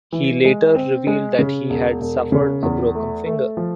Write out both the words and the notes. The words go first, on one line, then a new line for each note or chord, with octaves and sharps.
He later revealed that he had suffered a broken finger.
E3
G#3
C4
G#3
C#3
E1
E1
C#3
E2
A3
A3
F3